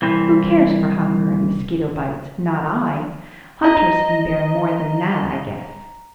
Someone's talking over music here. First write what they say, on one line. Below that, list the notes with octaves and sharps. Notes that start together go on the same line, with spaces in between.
Who cares for hunger and mosquito bites? Not I. Hunters can bear more than that, I guess.
C2 E3 C4
D#5 A#5